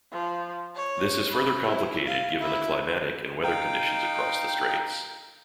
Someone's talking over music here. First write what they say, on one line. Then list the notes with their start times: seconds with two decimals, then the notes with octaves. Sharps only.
This is further complicated given the climatic and weather conditions across the straits.
0.12 F3
0.75 C#5
1.30 B5
1.65 E4
2.07 F5
2.39 E4
3.44 D#4 F5 G5